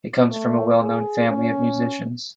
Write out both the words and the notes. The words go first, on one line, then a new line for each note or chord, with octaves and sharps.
He comes from a well-known family of musicians.
A3
G#4
C#4